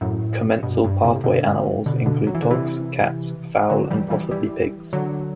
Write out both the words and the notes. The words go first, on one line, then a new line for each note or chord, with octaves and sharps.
Commensal pathway animals include dogs, cats, fowl, and possibly pigs.
F#2 A2
G2 B2
G2
A2 C3
B2 D3
B2 D3
B2 D3
F#3
E3
D3
C3 E3
D3 F#3
E3 G3
E3 G3
E3 G3
D3 F#3